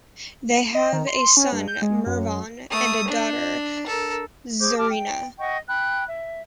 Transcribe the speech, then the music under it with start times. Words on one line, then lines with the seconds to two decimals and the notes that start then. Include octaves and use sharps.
They have a son, Mervon, and a daughter, Zarina.
0.75 D#5
0.93 D#3
1.07 C6
1.37 C#4
1.52 G2
1.68 G6
1.82 G#3
2.06 F#2
2.70 A3 D#6
3.08 D4
3.87 A4 A#4
4.60 G#4 C5 D6 G6
4.77 G4 A5 D6 F6
4.89 G5
5.39 D#5 F#5 G5 C#6
5.67 G5 B5 F#6
6.07 E5